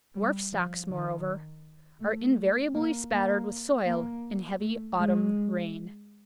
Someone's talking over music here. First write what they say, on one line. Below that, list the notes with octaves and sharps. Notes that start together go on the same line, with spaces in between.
Dwarf Stocks, moreover, are invariably spattered with soil in heavy autumn rain.
G3
F3
D#3
A3
A#3
A#3
A#3
A3
G#3